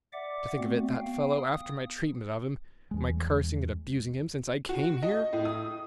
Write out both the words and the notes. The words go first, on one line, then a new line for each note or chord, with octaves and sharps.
To think of it—that fellow, after my treatment of him—my cursing and abusing him since I came here!
D5 E5 F#5 D6
A3 B3 C4 F#4
B3 F5 G5
D#6
E2 G#3
F#4
D#5
A2
D#6